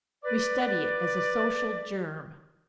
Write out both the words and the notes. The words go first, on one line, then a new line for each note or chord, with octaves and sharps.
"We study it as a Social Germ."
B4 D5